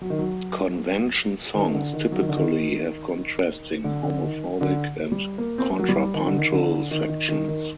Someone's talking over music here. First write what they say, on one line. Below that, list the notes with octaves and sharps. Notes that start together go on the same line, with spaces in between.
Convention songs typically have contrasting homophonic and contrapuntal sections.
F#3
D#3
F#3
D#3
D3
D#3
F#3
D#3
D3
D#3
D3
D3
D#3
D3
G3
A#3
C4
A#3
F#3
G3
D#3
D3
D#3
D3
D#3
D#3
D#3
D#3